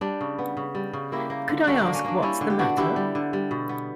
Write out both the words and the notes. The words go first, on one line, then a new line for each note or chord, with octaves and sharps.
Could I ask what's the matter?
G3 D4
C#3
B3
C#3
G3
C#3
A#3 E4 G4
A#3
D3
D3 D4 F#4
D4
A#3
C#4
A#3 D4
G3 C#4 E4
D3
G4
B3 D4 F#4
D3 E4 G4
G3
D3
G3
B2
B3